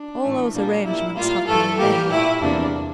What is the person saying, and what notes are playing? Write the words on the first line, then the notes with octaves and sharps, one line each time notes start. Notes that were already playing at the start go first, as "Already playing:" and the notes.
'All those arrangements have been made.'
Already playing: D4
A2 E3 A3
A#2 G3 A#3 D4
A#2 G3 A#3 E4
A2 G3 A#3 F4
G2 E3 A3 A4
A2 E3 G3 A#3 G4
A#2 A3 E4
E2 C3 G3 A#3 D4